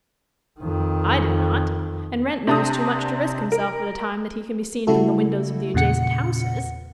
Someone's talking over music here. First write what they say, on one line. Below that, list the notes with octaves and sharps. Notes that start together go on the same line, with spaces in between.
I did not, and Wrent knows too much to risk himself at a time that he can be seen from the windows of the adjacent houses.
F2 D#3
C3 D4 D#6
A#4
C#3 G3 A3 E4 F#4 A4
E2 A#2 C#3 F#5 C#7